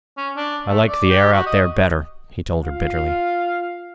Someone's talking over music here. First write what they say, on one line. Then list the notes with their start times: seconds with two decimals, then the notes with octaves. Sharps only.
"I liked the air out there better," he told her bitterly.
0.17 C#4
0.37 D4
0.69 A3
0.88 D5
1.10 G4
1.33 F#4
1.46 D#5
2.65 F4 F5